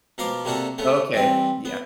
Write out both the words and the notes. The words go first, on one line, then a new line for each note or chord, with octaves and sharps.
Okay. Yep.
B2 F3 A#4 F5 C6 D6
C3 A#3 D4 F#4 A4
C#3 A3 B3
E3 G3 C4
B3